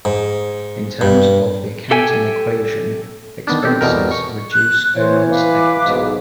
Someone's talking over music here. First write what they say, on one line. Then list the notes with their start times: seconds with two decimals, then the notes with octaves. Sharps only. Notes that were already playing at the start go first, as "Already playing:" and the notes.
In terms of the accounting equation, expenses reduce owners' equity.
0.05 G#2
1.01 G2
1.91 G4 A4 E5 G5 G#5
3.47 D#3 B3 D4
3.63 C4 G4 A4
3.81 E2 B2 A#4
4.11 C#6
4.53 F#6
4.96 E3 C5 C#5
5.30 B4 F5 D6
5.84 B1 G#2